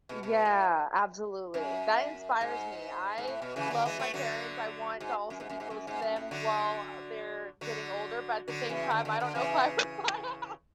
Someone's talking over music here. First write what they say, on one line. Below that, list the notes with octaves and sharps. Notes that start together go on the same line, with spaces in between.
Yeah, absolutely. That inspires me, I love my parents, I want to also be close to them while they're getting older, but at the same time, I don't know if I would buy a house,
B2
B2
A2
F#2
G#2
G#2
A2
B2
C#3 E3
D3 F#3
E3 G#3
F#3 A3
D3 F#3
G#2
F#2
G#2
F#2
G#2
F#2
G#2
F#2
A2
D3 F#3
D3 F#3
D3 F#3
C#3 E3
D3
D3
D3
C#3 E3